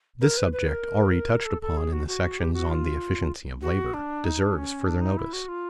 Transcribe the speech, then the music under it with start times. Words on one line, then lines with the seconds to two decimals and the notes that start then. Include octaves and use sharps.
This subject, already touched upon in the sections on the efficiency of labor, deserves further notice.
0.21 A#4
0.37 B4
0.53 B4
0.68 A#4
1.45 A4
1.62 A4
1.77 G#4
1.92 F#4
2.07 F#4
2.39 G4
2.53 F#4
2.69 F4
3.62 F#4
3.94 D4
4.24 D#4
4.40 D4
4.55 C#4
4.86 D4
5.01 D#4
5.17 E4
5.33 F#4
5.48 F4